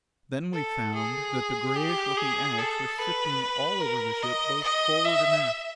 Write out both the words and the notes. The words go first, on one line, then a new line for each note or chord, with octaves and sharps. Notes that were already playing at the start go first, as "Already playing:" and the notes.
Then we found that the grayish-looking ash was sifting all over the ship, both forward and aft.
A4
G#4
G4
G#4
A4
B4
A#4
D#5
D#5
E5